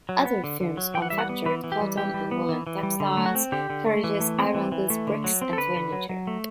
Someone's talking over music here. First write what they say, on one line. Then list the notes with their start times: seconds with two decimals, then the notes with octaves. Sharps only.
Other firms manufactured cotton and woolen textiles, carriages, iron goods, bricks and furniture.
0.09 F#3
0.25 B3
0.44 D3
0.61 D3
0.77 F#3
0.94 E3 G5
1.02 F#5
1.10 G3 E5
1.19 F#5
1.29 B3
1.46 E3 B4
1.64 E3
1.72 G4
1.81 G3
1.97 E3 G4
2.14 G3
2.31 B3
2.49 E3
2.67 E3
2.83 G3
3.00 D3
3.17 A3
3.26 F#4
3.35 C4
3.52 D3 G4
3.70 D3
3.86 A3
4.04 E3
4.20 A3
4.39 C4
4.55 E3
4.72 E3
4.90 A3
5.07 D3
5.24 F#3
5.42 C4
5.53 A4
5.57 D3 B4
5.76 D3
5.92 F#3
6.09 F#3
6.27 A3